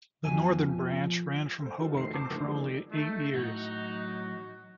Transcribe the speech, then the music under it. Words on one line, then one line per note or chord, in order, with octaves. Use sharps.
The Northern Branch ran from Hoboken for only eight years.
F2 B2 F3 G#5
A4 C5
D#4 F4 F#4 A4 A#4
F1 D#3 A3 C5 C7
A5 A#5 C#6 D6 E6 G6
D3 D#3 F3 A3 A#3
F3 G#3 A#3 D4 D#4 A4
A3 D#4
A2 E3 F#3 F#4 F#5